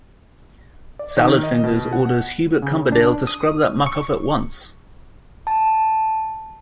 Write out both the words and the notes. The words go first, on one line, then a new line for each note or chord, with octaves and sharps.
Salad Fingers orders Hubert Cumberdale to scrub that muck off at once!
D5
D#3
D#5
B2
F#5
C#3
D4
D#6
C#6
A5